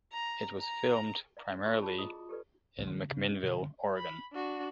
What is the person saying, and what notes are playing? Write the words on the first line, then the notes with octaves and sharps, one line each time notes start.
It was filmed primarily in McMinnville, Oregon.
A#5
A#5
D5 F5 A#5
E4 F4 D5 C6 C#6
C#4 F#4 G#4 A5 B5
F4 G#4 D#5 A#5 D#6
G#4
G4 A4 B4 D5
C#2 A2 E3
D3 E3 G3 G#3
C#3
C#4
B2 D3 F3
G2 D3
B5
D4 F#4